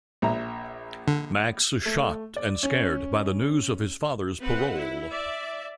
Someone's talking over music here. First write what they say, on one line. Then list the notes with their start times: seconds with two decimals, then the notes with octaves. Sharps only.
Max is shocked and scared by the news of his father's parole.
0.22 A#1 E5 A#5
1.08 D3
1.86 A3
2.36 D5
2.63 C#4
4.41 C4 B4 F#5
4.77 E4
5.10 D5 E5